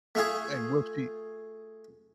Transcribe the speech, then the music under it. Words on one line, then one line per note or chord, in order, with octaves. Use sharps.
and will she m
A3 F4 G#4